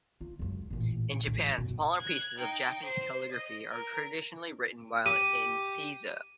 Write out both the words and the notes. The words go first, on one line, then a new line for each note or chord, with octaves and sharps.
In Japan, smaller pieces of Japanese calligraphy are traditionally written while in seiza.
F4
C#2 F#2
A1 A#2
A1 C#4
F#2 B2
F#6 G#6
D#4 G5
C5 C7
D#5
A#4
G4 D#7